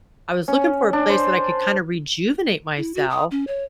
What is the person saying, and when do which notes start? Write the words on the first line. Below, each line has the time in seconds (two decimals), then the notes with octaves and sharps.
I was looking for a place that I could kinda rejuvenate myself,
0.48 C#4
0.93 D4
1.10 C5
2.77 E4
2.95 F#4
3.10 D#6
3.31 C#4
3.47 C#5